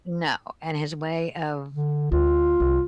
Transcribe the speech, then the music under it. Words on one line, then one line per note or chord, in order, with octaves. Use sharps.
No. And his way of
D3
D2 F4
C2